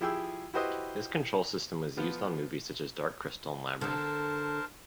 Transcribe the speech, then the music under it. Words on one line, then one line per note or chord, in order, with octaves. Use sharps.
This control system was used on movies such as Dark Crystal and Labyrinth.
F3 E4 G4 G#4 G5 E6
E4 F#4 G4 B4 C5 D#5
F3 B3 F4
D3 A4 A#4 C5 A5